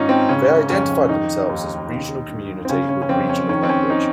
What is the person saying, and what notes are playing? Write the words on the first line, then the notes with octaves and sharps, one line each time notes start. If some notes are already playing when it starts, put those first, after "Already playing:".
They identified themselves as a regional community with regional language.
Already playing: G#2 D#3 C#4 D#4 F4
C4
C#3 C#4
F2 C#4
D#3 D#4
D#2
D#3
G2
C4
C#3 C#4
C#4
C#4
F2 C4
C#4
D#3 C#4
C4
C#4
D#4